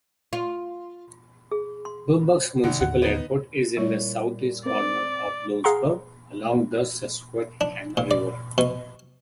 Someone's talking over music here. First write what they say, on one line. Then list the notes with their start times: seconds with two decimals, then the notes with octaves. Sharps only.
Bloomsburg Municipal Airport is in the southeast corner of Bloomsburg, along the Susquehanna River.
0.33 F4
1.51 G#4
1.85 C6
2.64 G#1 C3 F#5
2.81 D#2 A2 D3 F#5
3.02 B3 D#4
3.77 A#2 G3 E4 C#5
4.65 C4 A#4 C5 D5
5.64 G#4 F5 F#5 A#5 C6
7.61 D4
7.97 A#2
8.11 D5
8.58 B2